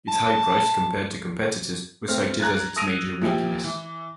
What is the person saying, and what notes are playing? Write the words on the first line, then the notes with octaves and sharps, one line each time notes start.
Its high price compared to competitors was cited as its major weakness.
A5
A3 C4 F6
A#5 F#6 G#6 A6
D#6 E6 A#6 D7 D#7 F7
A#2 F3 E4 G4
E3